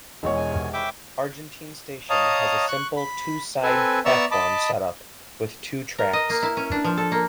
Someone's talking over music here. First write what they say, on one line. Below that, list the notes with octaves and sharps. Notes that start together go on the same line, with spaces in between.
Argentine station has a simple two side-platform setup with two tracks.
E1 E2 D#3 G#3 C#4 C#5
G#5
C3 A#4
C#4 E4 E5 F5 G5 D6
C#5 D#5 F5 A5 A#5 D#6
C#6 F#6
B5
C4 A4 B4 G#5
B3 D5 E5 A#5 C#6 E6
D#5 A5 B5 D6
A#4
D#5
A#3
E4
C#4
D4
F3
A4
A#3